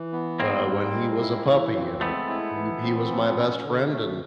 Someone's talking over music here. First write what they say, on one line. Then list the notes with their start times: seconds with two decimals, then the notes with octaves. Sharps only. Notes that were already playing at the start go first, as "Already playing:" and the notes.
uh, when he was a puppy, and he he was my best friend, and,
Already playing: E3
0.13 B3
0.39 G#2 A#3 C4
0.67 G3
0.94 G#3
1.20 E4
1.48 E3
1.75 C4
2.01 G#3 A3 B3
2.29 E4
2.55 E3
2.82 C4
3.09 F3
3.37 C#4
3.64 D3
3.91 A3